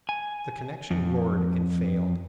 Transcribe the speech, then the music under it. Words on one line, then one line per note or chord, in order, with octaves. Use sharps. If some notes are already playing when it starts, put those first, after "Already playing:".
The connection roared and failed.
G#5
F2